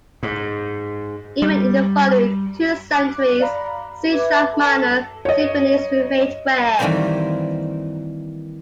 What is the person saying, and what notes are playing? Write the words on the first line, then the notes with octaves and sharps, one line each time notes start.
Even in the following two centuries, C-sharp minor symphonies remained rare.
G#2
G3
D6 F#6
D5 F5 A#5 B5
B4 E5 D6 G#6
A4 A5
C#5 D#5
D#3 E3 G3 A#3 C4 C5